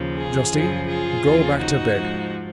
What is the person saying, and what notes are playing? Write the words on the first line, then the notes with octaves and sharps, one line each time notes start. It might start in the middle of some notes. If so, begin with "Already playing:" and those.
Justine, go back to bed.
Already playing: D#2 C#3 F3
F4 G#4
F#2 C#3 F3
F4 G#4
D#2 C#3 F3
D#4 F#4
G#2 F3